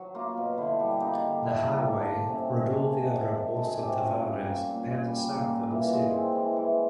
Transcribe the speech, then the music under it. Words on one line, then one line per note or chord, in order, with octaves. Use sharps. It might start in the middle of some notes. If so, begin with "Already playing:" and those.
The highway Rodovia Raposo Tavares passes south of the city.
Already playing: F#3
A#3 F4
B2
D3 E4
G3
A#3 D#4
D3
D3 E4
G3
A#3 D4
D3
C3 C#4
D#3
G#3 D4
C3
C3
D#3
G#3 A4
G#4
C3 G4
F#4
C#4 F4
G3
A#3
A#2
C#4
G3
A#3
A#2
E3
G#3
C4
E3
E3